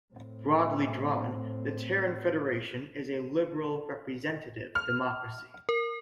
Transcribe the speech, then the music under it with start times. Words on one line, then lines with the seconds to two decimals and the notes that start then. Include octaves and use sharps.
Broadly drawn, the Terran Federation is a liberal, representative democracy.
0.14 A2 C4
4.75 F6
5.69 A#4